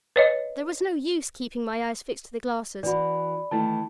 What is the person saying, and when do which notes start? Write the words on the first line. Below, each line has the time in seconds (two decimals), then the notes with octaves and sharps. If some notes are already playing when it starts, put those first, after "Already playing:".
There was no use keeping my eyes fixed to the glasses.
0.16 B4 C#5 D#5
2.83 E3 F#4 D5 B5
3.51 D#3 E3 A3 E4 A5